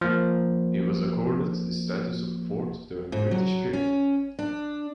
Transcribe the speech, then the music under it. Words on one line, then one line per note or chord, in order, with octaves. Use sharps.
It was accorded the status of a fort during the British period.
F3 A#3
G#2
F#3
C#4
D4